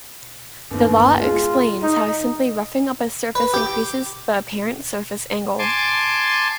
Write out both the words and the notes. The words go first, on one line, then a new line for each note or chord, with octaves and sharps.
The law explains how simply roughing up a surface increases the apparent surface angle.
G1 D#2
G#3 F4
D#4
B4
G4
G#5 A5 C6 D6